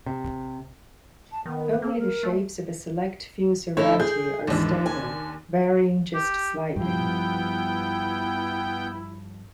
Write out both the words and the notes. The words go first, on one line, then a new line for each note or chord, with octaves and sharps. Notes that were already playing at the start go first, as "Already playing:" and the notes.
Only the shapes of a select few sarati are stable, varying just slightly.
C3
A5
D#3 B3
B4
A#3 A4
A#4
A3
D3 A3 D#4 E4 C#5
G#4 G6
D#2 G#2 E3 D4
G#5
G4
G2 F3 B3 E4 G5